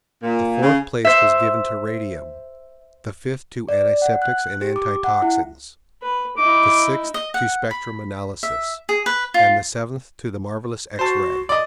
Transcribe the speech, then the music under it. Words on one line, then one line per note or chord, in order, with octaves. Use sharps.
The fourth place was given to Radium, the fifth to Antiseptics and Antitoxines, the sixth to Spectrum Analysis, and the seventh to the marvelous X-Ray.
A#2
C#3
C5 E5
D5
F#5
F#6
G4
D6
F#5
E4
B4
D#4 E4 D6
D#5
F#5
B5
E5
G#4
B4
F4
F#4 C5 A5
D5 D#5